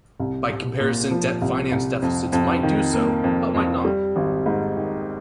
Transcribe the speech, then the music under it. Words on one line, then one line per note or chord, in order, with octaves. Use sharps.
By comparison debt finance deficits might do so, but might not.
C2
C2
A#2
F3
C2
C2
F2
F2
D#3
A#3
F2
F2
G3
G#1
G#2
D#3